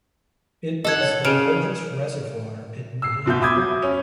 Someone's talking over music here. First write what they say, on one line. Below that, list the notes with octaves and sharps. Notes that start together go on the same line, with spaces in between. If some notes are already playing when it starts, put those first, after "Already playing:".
It is the largest reservoir in Wuhan.
A4 D#5 F#5 G#6
C#5
C#3 F6 D7 F7
E6 C7
F#1 B2 E5 G6
E5 B5 D6 D#6 G6 G#6
F#3
C#4